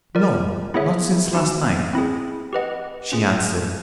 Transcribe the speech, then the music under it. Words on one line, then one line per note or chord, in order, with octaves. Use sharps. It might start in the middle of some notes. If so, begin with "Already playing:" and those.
"No--not since last night," she answered.
F4 A#4 D5
B3 E4 G#4 C#5 E5
B3 D#4 F#4
C4 E4 G#4
G4 B4 D#5 F#5
C#4 F4 G#4